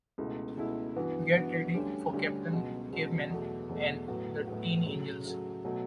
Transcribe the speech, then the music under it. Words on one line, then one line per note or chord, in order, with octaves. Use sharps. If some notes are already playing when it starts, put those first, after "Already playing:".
Get ready for Captain Caveman and the Teen Angels!
C#2 B2 A3 E4
C#2 B2 A3 E4
G2 E3 B3 F#4
G2 E3 B3 F#4
D2 D3 G3 C#4 G4
D2 D3 G3 C#4 G4
C#2 B2 F#3
C#2 B2 F#3
E2 B2 F#3 A3
E2 B2 F#3 A3
A2 F#3 B3 F#4
A2 F#3 B3 F#4
C#3 F#3 A3
C#3 F#3 A3
B2 F#3 A3